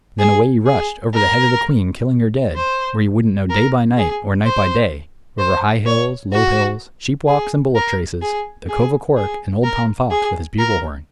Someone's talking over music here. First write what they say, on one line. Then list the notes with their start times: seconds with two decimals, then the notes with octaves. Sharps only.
Then away he rushed, over the head of the queen, killing her dead, where you wouldn't know day by night or night by day, over high hills, low hills, sheep walks and bullock traces, the Cove o' Cork, and old Tom Fox with his bugle horn.
0.19 G#4
0.66 G#4
1.14 A#4
2.56 C5
3.50 A#4
3.97 G#4
4.44 C5
5.39 C5
5.86 C#5
6.33 F#4
7.28 G#4
7.76 A#4
8.22 G#4
8.69 G#4
9.17 G#4
9.64 A#4
10.11 G#4
10.59 A#4